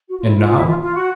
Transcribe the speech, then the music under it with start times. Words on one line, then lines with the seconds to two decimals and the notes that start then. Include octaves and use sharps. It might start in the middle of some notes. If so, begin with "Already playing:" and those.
"And now?"
0.09 F#4
0.19 F4
0.27 E4
0.37 F4
0.47 F4
0.56 E4
0.67 F4
0.81 F4
0.94 F#4